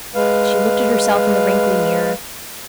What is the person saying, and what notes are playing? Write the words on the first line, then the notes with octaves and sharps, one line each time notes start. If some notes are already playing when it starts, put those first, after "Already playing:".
She looked at herself in the wrinkly mirror.
G#3 B4 F5